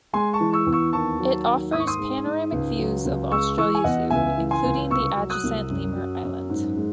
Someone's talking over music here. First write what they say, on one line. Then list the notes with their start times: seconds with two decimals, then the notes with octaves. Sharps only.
It offers panoramic views of Australia Zoo, including the adjacent lemur island.
0.13 G#3 G#5 C6
0.33 A5 C#6
0.40 E3
0.53 C#6 E6
0.67 E2
0.73 C#6 E6
0.93 D#2 A5 C#6
1.19 F#3
1.46 D#2
1.72 G#2 D#6
1.80 C#6
1.87 C6 D#6
1.99 G#3
2.25 G#2
2.52 C#2
2.79 F#3
3.05 C#2
3.31 G#3 C#6 E6
3.58 E3 C#6 E6
3.75 G#5
3.84 E2 D#5 F#5
4.10 C#2 E5 G#5
4.37 E3
4.51 G#5 C6
4.64 C#2
4.90 C2 C#6 E6
5.16 F#3
5.30 D#6 F#6
5.44 C2
5.70 F#2
5.96 F#3
6.23 F#2
6.49 G#2
6.76 G#3